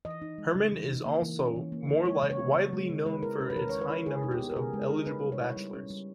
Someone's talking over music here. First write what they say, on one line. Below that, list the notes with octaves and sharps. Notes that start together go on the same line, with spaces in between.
Herman is also more widely known for its high number of eligible bachelors.
E3 D#5
D#4
G#3
C#3
E3
D#4
A#3
E3
C#4
E3
A#3
E3
G#3 C#5
C#3
C#5
B3
C#3
G#3
C#3
G#3 B4
E4 A#4
C#4
B4
D#3 A#4
G#3 C#5
B4
E4
G#3 G#4
D#4
G4
B3
A#4
C#3 G#4
G#3
A#4
D#4
C#4 B4
G3
C#5
E4
G3
C#4
G3